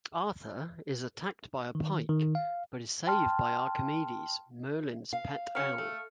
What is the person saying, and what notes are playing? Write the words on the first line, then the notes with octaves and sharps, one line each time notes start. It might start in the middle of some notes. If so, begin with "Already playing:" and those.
Arthur is attacked by a pike but is saved by Archimedes, Merlin's pet owl.
D#3
D#3
F5
G5 A5 C6 F6
F5
F#3 C#4 F6 C#7
A3